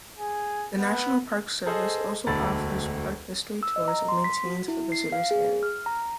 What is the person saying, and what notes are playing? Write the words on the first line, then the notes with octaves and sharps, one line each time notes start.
The National Park Service also offers park history tours and maintains a visitors area.
G#4
B3
G#4 A4 C5 D#5
E1 D2 A4 B5 A6
E6
D#5
A#5
C6
B6
F#4
E4
C7
F5
G#4
F6
A#5